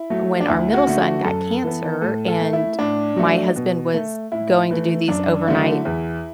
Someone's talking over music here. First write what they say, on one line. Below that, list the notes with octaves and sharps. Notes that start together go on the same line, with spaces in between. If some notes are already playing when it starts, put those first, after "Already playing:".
when our middle son got cancer and my husband was going to do these overnight,
Already playing: E4
F#3 A3
D4
D2 E4
F#4
D3 A3
F#4
F#2 A4
E3 B3
A2 A4
A4
A3
E4
A2 D4
F#3 A3
B2
A3
A2 E4
E3 A3
F#2 D4
D3 F#3 A3 E4
E2